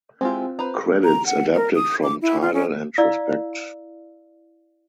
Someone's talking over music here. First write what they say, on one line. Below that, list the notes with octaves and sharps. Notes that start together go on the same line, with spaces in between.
Credits adapted from Tidal and Respect.
G#3 C4 E4 F4 G4
B4 C5 A#5
A#5
F#5
A#4
D#6
D6
E4
F4
C#4
E4 D5 F5 E6